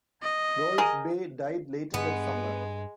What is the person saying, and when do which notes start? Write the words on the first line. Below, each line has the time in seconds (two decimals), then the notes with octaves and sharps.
Rolf Bae died later that summer.
0.23 D#5
0.78 G#4 A#4
1.94 G2 G#3 B3